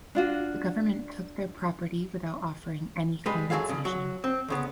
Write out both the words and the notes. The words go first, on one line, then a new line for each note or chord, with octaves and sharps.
The government took their property without offering any compensation.
D4 F4 F#4
G3 G#3 B4
F#2 F#3 F4 G#4 A4 F5
G2 C#3
F#3 F#4
C4
D2 C#3 B3